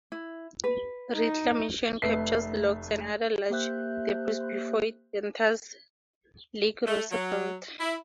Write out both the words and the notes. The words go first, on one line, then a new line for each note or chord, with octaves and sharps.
Reclamation captures logs and other large debris before it enters Lake Roosevelt.
E4
B4
D#4
F1 A3 B4 C7
A#3 G4 C5 E5 F#6 G6
A3
F#3
E4